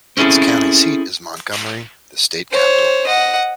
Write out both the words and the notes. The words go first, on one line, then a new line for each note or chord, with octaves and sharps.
Its county seat is Montgomery, the state capital.
C4 C#4 E4 G#4 A4
C5 C#5
D#5 F#5